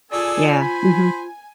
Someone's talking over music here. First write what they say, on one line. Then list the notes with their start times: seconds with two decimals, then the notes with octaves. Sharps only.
Yeah, mhm.
0.12 F4 G#4 A4 D5 G#5 E6
0.61 C5 B5